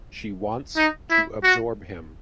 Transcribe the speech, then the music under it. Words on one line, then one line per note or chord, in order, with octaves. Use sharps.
She wants to absorb him.
D#4
E4
F#4